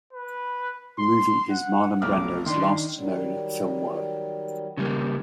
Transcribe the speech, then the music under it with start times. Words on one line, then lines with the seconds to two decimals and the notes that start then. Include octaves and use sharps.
The movie is Marlon Brando's last known film work.
0.13 B4
0.99 C6
1.50 F#5
2.02 F1 B1 D6 F6
2.46 D#3 D4 C6
2.96 D#3 F#3 G3
4.77 C#3 G3 A#3